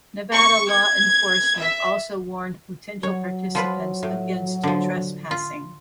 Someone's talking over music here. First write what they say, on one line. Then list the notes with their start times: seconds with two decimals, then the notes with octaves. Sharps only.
Nevada law enforcement also warned potential participants against trespassing.
0.33 C#6
0.69 G#6
1.59 E5
3.03 F#3 C#5
3.55 F3 F4 B4
4.03 A2
4.63 D3 F3
5.31 F4